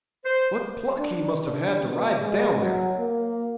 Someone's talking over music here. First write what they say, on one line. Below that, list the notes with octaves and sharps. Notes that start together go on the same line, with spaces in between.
What pluck he must have had to ride down there!'
C5
D4
D4
B2
G#3
F#3
A#3